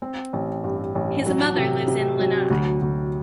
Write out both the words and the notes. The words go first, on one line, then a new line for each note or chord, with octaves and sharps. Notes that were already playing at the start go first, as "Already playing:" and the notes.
His mother lives in Lanai.
C4
A1
G2
A1
F#3
C3
C3
F#3
D2
D2